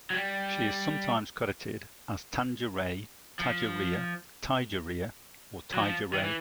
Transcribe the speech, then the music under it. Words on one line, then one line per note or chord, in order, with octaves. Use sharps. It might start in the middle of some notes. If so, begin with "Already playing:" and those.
She is sometimes credited as Tanja Rae, Taja Rea, Taija Rea, or Taija Ray.
F#3
G3
F3
F#3
F3
D#3
E3